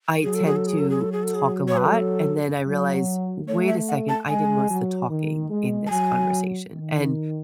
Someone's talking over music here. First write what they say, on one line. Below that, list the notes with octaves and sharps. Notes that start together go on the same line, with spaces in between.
I tend to talk a lot, and then I realize, "Wait a second, I did most of the talking in this conversation," and
F#3 G#4
A4
G#4
A4
G#4
A4
G#4
A4
G#4
A4
G#4
C#5
B4
A4
F#3
A3 C#5
E5
F#5
A5
G#3 G#5
F#3
D#3
G#3
A5
F#3 G#5
D#3